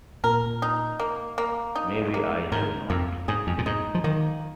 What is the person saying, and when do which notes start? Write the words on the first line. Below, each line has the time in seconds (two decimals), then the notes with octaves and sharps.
May be, I have not.
0.23 A#2 A#4
0.62 D#4
0.99 A#3
1.38 A#3
1.75 D#4
2.14 A#3
2.52 G#2 A#4
2.90 F2 A#3
3.28 G#2 G#4
3.47 F2
3.58 A#2
3.66 G#2 D#4
3.95 F3
4.04 D#3 A#3